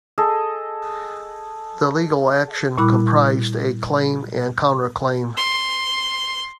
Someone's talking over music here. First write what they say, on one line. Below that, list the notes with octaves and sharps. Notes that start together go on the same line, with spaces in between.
The legal action comprised a claim and counterclaim.
G#4 A4 D#5
A#2 G3 E4 B5 D6 F#6
C6